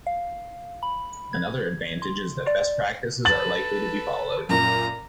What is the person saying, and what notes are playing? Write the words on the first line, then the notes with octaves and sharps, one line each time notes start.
Another advantage is that best practices are likely to be followed.
F5
B5
G#6
C6
D5
A4 B4 A6 F#7
F#2 A#2 A#5